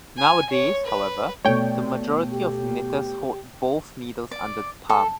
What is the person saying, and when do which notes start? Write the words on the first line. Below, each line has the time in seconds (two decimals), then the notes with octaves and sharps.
Nowadays, however, the majority of knitters hold both needles under the palm.
0.18 G#5
0.50 C#5
0.86 B4
1.45 B2 A3 C#5 D5 G5
2.31 G4
4.31 D5
4.89 A4